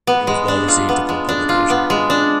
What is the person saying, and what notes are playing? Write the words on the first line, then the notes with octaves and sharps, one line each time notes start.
It was well received upon publication.
B3
G#3
D4
F4
B3
G#3
D4
F4
B3
G#3
D4